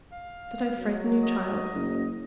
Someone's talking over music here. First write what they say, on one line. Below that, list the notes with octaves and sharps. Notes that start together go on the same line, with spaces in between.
Did I frighten you, child?
F5
F#3
D#5
F#1